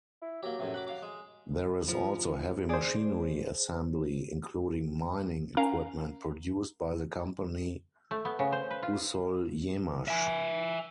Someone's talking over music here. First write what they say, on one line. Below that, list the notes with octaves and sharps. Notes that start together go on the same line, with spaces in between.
There is also heavy machinery assembly, including mining equipment produced by the company "Usolyemash".
E4
F#3 A#3 G4
F#2 A2 C3
F#5 B5 D6
F5 D6
G#3
F3
D4 G#4 C5
C#4 A#4 F5 A#5
A3
B3
C#3
C5
B4
F4
E5 G#5